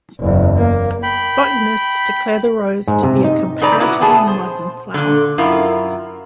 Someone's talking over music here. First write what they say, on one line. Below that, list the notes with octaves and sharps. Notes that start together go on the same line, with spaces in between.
Botanists declare the rose to be a comparatively modern flower.
F#1 E2
A#3
G5 B5
G#2
C3
D#4
G#2 B4 D5 A#5
B3 C#4 E4 F#4
A3 B3 G#4 A5
C5
A#2 D3
F#2 E4 F4 A#4